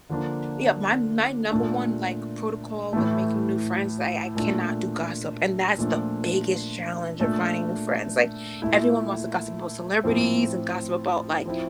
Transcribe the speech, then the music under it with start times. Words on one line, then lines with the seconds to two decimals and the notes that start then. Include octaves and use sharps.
yeah, my my number one, like, protocol with making new friends is I I cannot do gossip, and that's the biggest challenge of finding new friends. Like, everyone wants to gossip about celebrities and gossip about, like
0.09 D3 F3 A#3 D4
1.51 A#2 A3 D4
2.93 A2 E3 A3
4.35 A#2 A3 D4
5.78 A#2 F3 A3 D4
7.20 A#2 A3 D4
8.62 A#2 A3 E4
10.04 A2 F3 C4
11.46 F3 C4 E4